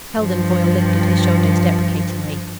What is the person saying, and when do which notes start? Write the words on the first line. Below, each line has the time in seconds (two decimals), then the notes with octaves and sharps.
Heldon Foyle lifted his shoulders deprecatingly.
0.16 G2 F3